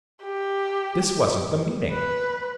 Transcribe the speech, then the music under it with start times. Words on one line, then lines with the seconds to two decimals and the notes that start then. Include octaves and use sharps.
This wasn't the meaning.
0.22 G4
1.91 B4